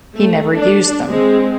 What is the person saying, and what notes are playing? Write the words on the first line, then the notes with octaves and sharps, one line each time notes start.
He never used them.
A3
D4
G#3 C4